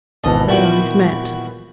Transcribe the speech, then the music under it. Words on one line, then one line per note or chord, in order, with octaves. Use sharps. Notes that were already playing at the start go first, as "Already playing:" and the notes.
Their eyes met.
G#1 B2 D#3 E3 B3 D#5 A5
A#2 E4 F#4 G5